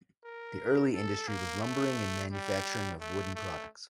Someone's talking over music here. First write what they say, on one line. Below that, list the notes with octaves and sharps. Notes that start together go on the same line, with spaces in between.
The early industry was lumbering and manufacturing of wooden products.
A#4
A4
A#3
A3
G3
A3
A3